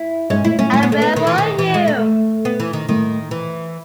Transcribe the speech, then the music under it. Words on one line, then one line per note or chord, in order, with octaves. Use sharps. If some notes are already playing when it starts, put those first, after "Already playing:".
And where were you?
Already playing: E4
G#2 C#4
A2 E4
A2 C#4
A2 C#4
B3
A3
B3
D#3
E3
D#3
E3
G#3
A3
B3
E3
D#3
A2 D#3
E3